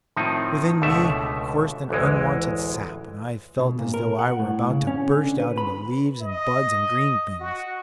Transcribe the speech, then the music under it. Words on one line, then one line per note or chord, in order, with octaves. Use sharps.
Within me coursed an unwonted sap, and I felt as though I were about to burst out into leaves and buds and green things.
A2 D#3 F3 C4 D#4
C#2 B2 D3 A3 E5
A1 D2 E3 G#3
B2
A#2
A#4
F#5
A2
C#3
C#4
D3
B4
B5
D#5
F#4